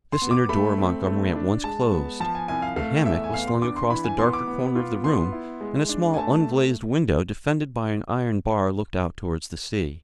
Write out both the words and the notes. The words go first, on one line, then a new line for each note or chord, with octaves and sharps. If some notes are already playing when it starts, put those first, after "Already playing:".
This inner door Montgomery at once closed. A hammock was slung across the darker corner of the room, and a small unglazed window defended by an iron bar looked out towards the sea.
C6
B3
D6
A3 B5
C4
A3
D4
G#3 A5
B3
F3 A5
G#5
C2 G#5
F5
A3 F5
E2 E5
G#5
B3 F5
C6
D4 D6
C6
E3 B5
G#5
B3 C6
D6
B3
F4
B3 C6
E4
G#3
D4
G#5
A3 A5